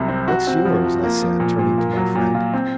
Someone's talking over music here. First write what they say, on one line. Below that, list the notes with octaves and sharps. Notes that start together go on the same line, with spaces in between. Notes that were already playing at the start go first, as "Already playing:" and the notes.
"What's yours?" I said, turning to my friend.
Already playing: C2 C3 F#3
C4
F#4
C4
F3
F3
A#3
F3
A#2
A#2
A#3
F#3
A#2
F4
C4